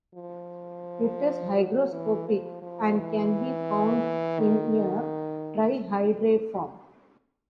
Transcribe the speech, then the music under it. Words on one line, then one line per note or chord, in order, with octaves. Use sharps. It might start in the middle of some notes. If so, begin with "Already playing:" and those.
It is hygroscopic, and can be found in a trihydrate form.
F3
F#3
E3
F3
F3
E3
D#3